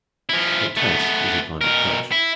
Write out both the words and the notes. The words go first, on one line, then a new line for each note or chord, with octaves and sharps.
But taste is a kind of touch.
F3 E4
A3 B3
B2 A#4
E4